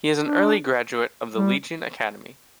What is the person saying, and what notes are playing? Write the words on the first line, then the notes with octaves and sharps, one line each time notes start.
He is an early graduate of the Legion Academy.
D4
G3